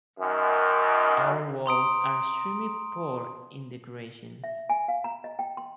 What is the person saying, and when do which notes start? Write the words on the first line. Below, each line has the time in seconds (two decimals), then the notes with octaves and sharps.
Outer walls are extremely poor in decoration.
0.20 F#2 D#3
1.66 A#5 C6 D#6 D7
4.44 E5
4.69 G#5
4.88 F5
5.04 A#5
5.24 D#5
5.39 G5
5.57 C6